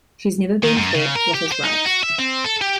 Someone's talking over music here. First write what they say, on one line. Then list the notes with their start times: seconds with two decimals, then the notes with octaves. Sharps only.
She’s never been taught what is right.
0.63 D#3
0.77 F#2
0.95 C#3
1.16 A#4
1.34 G4
1.52 C5
1.64 D#4
1.85 F#4
2.03 E5
2.19 C4
2.45 A4
2.62 G4